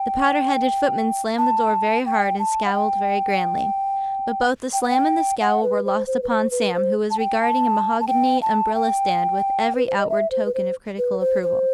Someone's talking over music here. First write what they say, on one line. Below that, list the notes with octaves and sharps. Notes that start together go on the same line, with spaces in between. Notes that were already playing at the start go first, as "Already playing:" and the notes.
The powdered-headed footman slammed the door very hard, and scowled very grandly; but both the slam and the scowl were lost upon Sam, who was regarding a mahogany umbrella-stand with every outward token of critical approval.
Already playing: G5
A5
G5
A5
F#5
G5
G5
F#5
G5
F#5
B4
C5
C5
B4
C5
B4
C5
A5
G5
A5
A5
G5
A5
G5
B4
C5
D#5
E5
C5
B4
C5
B4
C5
C5